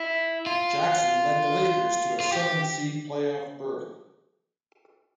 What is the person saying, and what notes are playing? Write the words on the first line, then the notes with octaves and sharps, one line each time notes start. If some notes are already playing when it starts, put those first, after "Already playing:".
Jackson led the Lakers to a seventh-seed playoff berth.
Already playing: E4
F4
F4
G4